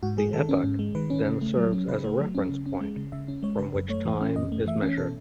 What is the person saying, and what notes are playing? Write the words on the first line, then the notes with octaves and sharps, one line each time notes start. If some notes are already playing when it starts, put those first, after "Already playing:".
The "epoch" then serves as a reference point from which time is measured.
G#2 F#4
G#3 G#4
D#3 A4
C#4
G#2
G#3
D#3 B4
C#4
C#3
A3
F#3
C#4
C#3 B4
A3
F#3
C#4
C#3
C#4
G#3
C#3
C#3 E5
C#4
G#3 C#5
C#3 B4
F#2 B4
A3 C#5
E3
C#4
F#2 D#5
A3
E3 E5
C#4
B2 A4